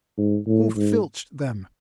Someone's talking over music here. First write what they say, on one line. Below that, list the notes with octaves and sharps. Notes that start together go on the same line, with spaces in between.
Who filched them?
G#2
A2
G#2